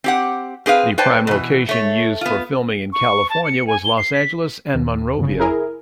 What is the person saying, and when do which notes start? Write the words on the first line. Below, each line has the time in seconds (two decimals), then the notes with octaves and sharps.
The prime location used for filming in California was Los Angeles and Monrovia.
0.04 C4 G4 F#5
0.66 C4 G#4 B4 F5
0.98 B4 C5 D5 G5 A5
1.27 B2 E3
1.69 A3 C#5
2.21 B3 F4
2.93 C#6
3.30 A5
3.45 C#7
3.67 G#5
3.85 G7
3.98 C7
4.13 B6
4.74 D#2
5.17 G1 C#3
5.40 E4 G#4 A#4